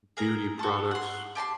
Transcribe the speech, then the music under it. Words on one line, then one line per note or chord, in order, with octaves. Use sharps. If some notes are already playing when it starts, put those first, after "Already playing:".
beauty products,
G#4 A#4 A#5
F#4 A4
F#5 C6
G4 A5 B5 C6